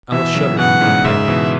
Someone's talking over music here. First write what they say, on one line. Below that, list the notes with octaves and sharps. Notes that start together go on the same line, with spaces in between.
Alice shuddered and grew pale.
B2 E3 E5
C#3 F#3
B2 E3 F#5
G#2 C#3
G#2 C#3 E5
B2 E3